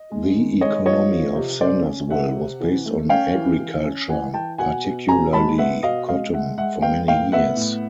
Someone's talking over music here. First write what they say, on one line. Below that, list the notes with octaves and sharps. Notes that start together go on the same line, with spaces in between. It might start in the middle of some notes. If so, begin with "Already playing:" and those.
The economy of Sandersville was based on agriculture, particularly cotton, for many years.
Already playing: D#5
G#3
D#3
G#3 C#5 D#5
F3 C#5 D#5
F3
C3
C#4 C5 D5
C#4
C3 E5 F#5
C3
E3
A3
C#4 F5 G5
E3
E3
C#4
E3 F#5 G#5
E3 G5 A5
B2 F#5 G#5
B2
B2 G#5 A#5
G#3 A5 B5
B3 E5 F#5
B2 D#5 F5
G#3 D#5 F5
G#3 E5 F#5
G#3 E5 F#5
B3 F5 G5
A2 F5 G5
B3 E5 F#5
A2